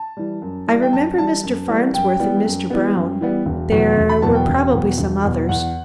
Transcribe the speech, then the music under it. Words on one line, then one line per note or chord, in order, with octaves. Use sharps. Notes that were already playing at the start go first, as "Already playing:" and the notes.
I remember Mr. Farnsworth and Mr. Brown. There were probably some others.
Already playing: A5
E3 G3
F#2
E3 G3
G5
F#2 A5
E3 G3 A5
F#2
E3 G3 B3
F#2 G5
E3 G3 B3
F#2
E3 G3 B3
F#2
E3 G3 B3
E1
E2 B2 F#3 B3
E1
B5
E2 B2 F#3 B3 A5
G5
E1
E2 B2 F#3 B3
E1
E2 B2 F#3 B3
E2 F#5